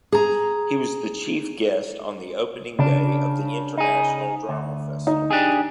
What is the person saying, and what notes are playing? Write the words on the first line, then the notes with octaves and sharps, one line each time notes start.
He was the chief guest on the opening day of the International Drama Festival.
G#4 A#5
C#3 D4
D#4 G#4
D2
D#4
D4 G4 G#4